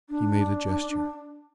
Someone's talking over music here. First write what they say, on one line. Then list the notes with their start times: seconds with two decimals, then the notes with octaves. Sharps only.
He made a gesture.
0.09 D4